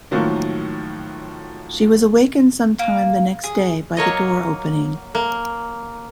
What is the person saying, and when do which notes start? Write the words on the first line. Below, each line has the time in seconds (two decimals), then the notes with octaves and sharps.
She was awakened some time the next day by the door opening.
0.11 A2 D#3 F3 F#3 A#3
2.79 A#3
3.44 G#4
3.97 F#3 A#3 C#5 D#5
5.15 A#3